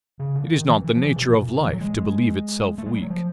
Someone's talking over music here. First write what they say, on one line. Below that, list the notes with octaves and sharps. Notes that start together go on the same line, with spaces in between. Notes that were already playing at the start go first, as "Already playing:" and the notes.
It is not the nature of life to believe itself weak.
C#3
D3
D#3
E3
E3
F3
E3
B2
A#2
A2
D3
E3
F#3
G#3
G#3
A3
G#3
G3
F#3
F3